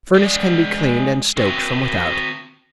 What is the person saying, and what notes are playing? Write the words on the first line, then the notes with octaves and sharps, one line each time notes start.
The furnace can be cleaned and stoked from without.
G#3 D5
C4 F#4